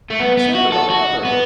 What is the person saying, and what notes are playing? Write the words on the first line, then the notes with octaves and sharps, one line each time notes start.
"I am sad about mother."
A3
B3
B3
F#4
A4
F#4
B3